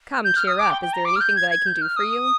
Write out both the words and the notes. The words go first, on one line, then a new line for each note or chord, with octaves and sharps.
"Come, cheer up; is there anything that I can do for you?"
G6
F6
D#6
D6
G5
G5
A#5
D6
F6
G6
G#6
G#6
G6
F6
D#6